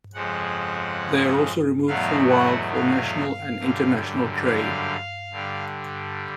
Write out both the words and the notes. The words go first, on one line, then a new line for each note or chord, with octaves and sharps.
They are also removed from wild for national and international trade.
F2 C#3 F3 G#3 F#5
E2 B2 F#3 A3 F5
F#5
F5
F#2 D3 G3
F5
G2 D3 G3